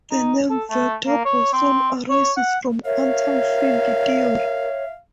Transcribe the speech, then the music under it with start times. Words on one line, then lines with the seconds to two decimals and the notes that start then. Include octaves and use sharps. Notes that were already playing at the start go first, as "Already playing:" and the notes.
The name "vector boson" arises from quantum field theory.
0.11 D#4
0.50 A4
0.70 A3
1.07 A#3
1.25 C#5
1.53 C4
2.10 C#5
2.37 F#5
2.85 A#4 C#5 E5 F5